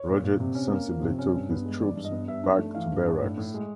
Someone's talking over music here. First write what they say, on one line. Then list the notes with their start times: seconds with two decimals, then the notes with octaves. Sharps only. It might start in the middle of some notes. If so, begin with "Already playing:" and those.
Roget sensibly took his troops back to barracks.
Already playing: C#5
0.09 A#2
0.23 A#2
0.40 C3
0.55 C#4
0.70 A#3
0.87 F3
1.03 C3
1.19 C#4
1.34 G2
1.50 B3
1.65 G#3
1.81 E3 D5
1.96 G2
2.05 D#5
2.12 B3
2.27 G2 E5
2.43 D4
2.59 A3
2.75 E3 F5
2.91 G2
3.06 D4
3.22 A2
3.38 A2
3.54 G#3